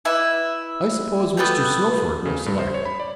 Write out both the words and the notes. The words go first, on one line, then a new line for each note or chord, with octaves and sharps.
"I suppose Mr. Snowford will select."
E4 B4 E5
A3 B3 B4 G5
C#3
G2
C5
C#5
B5
D5